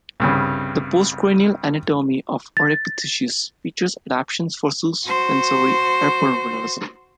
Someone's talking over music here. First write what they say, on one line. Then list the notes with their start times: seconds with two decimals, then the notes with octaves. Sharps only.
The postcranial anatomy of "Oreopithecus" features adaptations for suspensory arborealism.
0.20 C2 G2 C#3
2.57 A6
5.05 F#4 C5